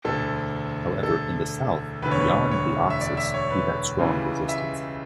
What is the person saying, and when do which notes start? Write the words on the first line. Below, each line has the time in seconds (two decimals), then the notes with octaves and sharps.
However, in the south, beyond the Oxus, he met strong resistance.
0.05 E1 D2 D3 A4
1.03 A4
2.02 E1 D2 D3 B4
2.11 C#5
2.20 B4
2.51 C#5
2.90 E5
3.01 D5
3.17 E5
3.34 C#5
3.50 B4
3.99 C#2 C#3 E3 G3
4.49 E5